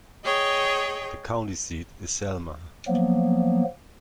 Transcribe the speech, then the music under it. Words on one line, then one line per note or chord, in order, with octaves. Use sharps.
The county seat is Selma.
G#4 C#5 D#5 G5
F3 F#3 A#3 B3